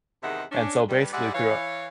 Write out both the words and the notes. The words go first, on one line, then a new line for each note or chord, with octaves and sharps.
And so basically throughou
E2 C3 D#3 G#3 E5 F#5
C#4 D4
G2 G3
G3 G#3 D5 E5 F#5
E3 C#5 F5